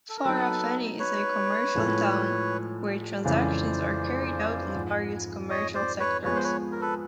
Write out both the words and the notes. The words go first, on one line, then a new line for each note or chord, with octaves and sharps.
Farafenni is a commercial town, were transactions are carried out in various commercial sectors.
A4
A#4
F#3 B3 D#4 A4 B4
B4 C#5
A2 F3 G#3
F2 C#3 E3 G#3 C5 D5
G#2 F3 G#3
C#5 D#5
C5 D5
B4 C#5
F3 G#3 B3 B4 C#5
C5
B4 C#5
A#4
A4 B4